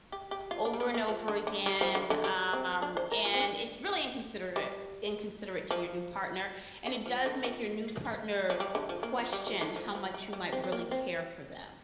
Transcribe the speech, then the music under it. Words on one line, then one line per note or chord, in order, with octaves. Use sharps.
over and over again, um, and it's really inconsiderate inconsiderate to your new partner, and it does make your new partner question how much you might really care for them.
G4
G4
F4
D4
G3
A#3
A#3
F3
D3
D3
G3
F3
D3
D3
G3
C4
D4
C5
A#4
F4
C4
D4
G3
F3
D3
F3
D3
F3
F3
G3
D3
F3
A#3
F3
G3
F3
D3
F3
F3
G3
G3
C4
C4
A#3
C4